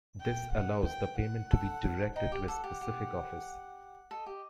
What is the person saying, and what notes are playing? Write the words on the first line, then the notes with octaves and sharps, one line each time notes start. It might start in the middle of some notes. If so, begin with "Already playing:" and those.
This allows the payment to be directed to a specific office.
G5
F#5
G5
F#5
A4
D#4 G5
G4
A4 F#5
G4
G4
A4 D#5
G4